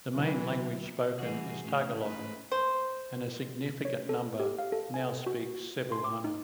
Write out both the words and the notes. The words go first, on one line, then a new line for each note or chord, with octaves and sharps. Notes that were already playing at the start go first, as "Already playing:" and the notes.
The main language spoken is Tagalog, and a significant number now speaks Cebuano.
D3 E3 F#3
E3 G3 F#4 G#4
A2 C#3 E3 C#4
G#2 B4
C5
C#5
A4
G4
F5
A4
G#5
F#4
C6
D6
D#4